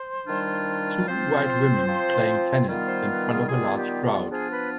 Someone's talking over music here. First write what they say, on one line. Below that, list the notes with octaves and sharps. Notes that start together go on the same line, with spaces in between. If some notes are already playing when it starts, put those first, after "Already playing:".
Two white women playing tennis in front of a large crowd.
Already playing: C5
D#3 G3 D4 F4
F3 C4 F4 C5
F3 C4 F4
D#3 G3 B3 F4
C5
B4
G#4
D#3 G3 B3 F4 G#4
G4
F3 B3 D4 F4 G#4
B4